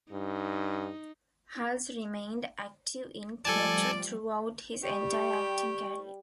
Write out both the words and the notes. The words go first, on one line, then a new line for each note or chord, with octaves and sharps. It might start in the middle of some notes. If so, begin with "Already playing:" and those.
Hulce remained active in theater throughout his entire acting career.
G2 D#4
F3 G3 A3 A4 D5 G#5 A5
G3 G4 C#6